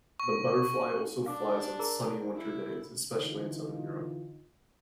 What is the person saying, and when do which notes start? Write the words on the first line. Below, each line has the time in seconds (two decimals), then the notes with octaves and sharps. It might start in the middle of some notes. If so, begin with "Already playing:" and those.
The butterfly also flies on sunny winter days, especially in southern Europe.
0.20 C#6
1.26 D4 F5 D6
1.79 G#4 A#4 A#5
2.36 E4
3.14 D3 E3 D#4 F4